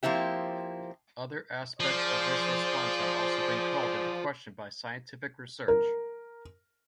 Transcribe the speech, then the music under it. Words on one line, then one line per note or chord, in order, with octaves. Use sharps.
Other aspects of this response have also been called into question by scientific research.
F3 A#3 C4 E4 G4
F3 G#4 C5 D5
A#4